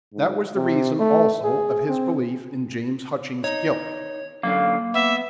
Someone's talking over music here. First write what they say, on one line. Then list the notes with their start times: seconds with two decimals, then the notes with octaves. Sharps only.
That was the reason also of his belief in James Hutchings' guilt.
0.14 G#2
0.56 C3
0.99 A3
1.44 G#4
1.89 C4
3.44 D#4 C#5
4.43 F#2 D3 A#3 F5
4.94 B3 E5